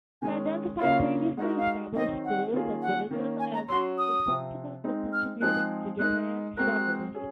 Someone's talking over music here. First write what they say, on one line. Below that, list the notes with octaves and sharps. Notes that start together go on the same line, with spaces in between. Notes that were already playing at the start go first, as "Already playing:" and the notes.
He identified previously established schools of Buddhism as responsible for contributing to Japan's struggles.
D#3 G#3 C#4 G#5
C#3 F#3 A#3 C#4 F4 F5
G#3 D#4 F#4 A#4 F#5
D#5
F5
D#3 F#3 C4 D#4 D#5
F#5
D#3 A#3 C#4 F4 G#4
F#5
D#3 A#3 C#4
G#5
A#5
F#3 C#4 F#4 C6
D#6
C3 F3 C4
G#3 C4 D#4
F6
F3 G#3 C4 D#4 G#4 F#6
G#3 D#4 A#4 F#6
G#3 C4 F#4 A#4 F#6
F#3 C#4 G#4